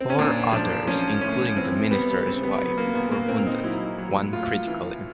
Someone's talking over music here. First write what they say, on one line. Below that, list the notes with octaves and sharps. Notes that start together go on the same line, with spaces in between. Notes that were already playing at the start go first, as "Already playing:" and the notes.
Four others, including the minister's wife, were wounded, one critically.
C4
C#4
A#2 D4
F3 D4
F3 C#4
A2 C#4
E3 C4
G3 B3
C#3 C4
B3
F#3 B3
A#3
A#2 B3
A#3
A#2 C4
D#4
F#3 E4
F#3
A2 F4
E3